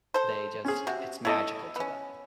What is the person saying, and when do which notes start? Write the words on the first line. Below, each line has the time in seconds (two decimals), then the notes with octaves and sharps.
they just it's magical to them,
0.14 A4 C5
0.65 C#4 G#4
0.87 C3 F#4
1.25 E4 A4 C#5 D#5 C#6
1.76 B3 C#4